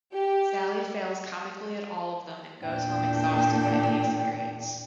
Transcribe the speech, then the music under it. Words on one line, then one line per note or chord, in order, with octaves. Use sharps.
Sally fails comically at all of them and goes home exhausted by the experience.
G4
E2 A#2 D4 G5